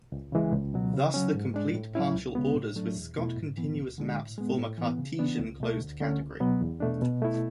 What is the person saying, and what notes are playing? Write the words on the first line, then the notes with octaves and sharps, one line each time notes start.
Thus the complete partial orders with Scott-continuous maps form a cartesian closed category.
C#2
C#3 E3 G#3
C#2
B2 F#3
C#3
F#3 C#4
G#2
G#3 D4
A2
F#3 C#4 E4
C#2
C#3 G#3 B3
A2
F#3 A3 D4
E2
B2 A3 E4
G#2
E3 B3
D2
D3 G#3 D4
A2
G#3 B3
A2
E3 B3
C#3
E3 B3 D4
C#2
B2 A3
D2
D3 A3 C#4
C#2
B2 F#3 B3
E2
B2 A3 D4
B2
A3 E4